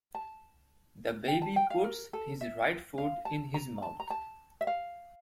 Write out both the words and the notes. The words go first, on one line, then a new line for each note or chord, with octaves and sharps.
The baby puts his right foot in his mouth.
A5
G5
A5
G5
F5
A#4
A4
E5
F5
A5
A#5
A5
A#5
A5
E5
F5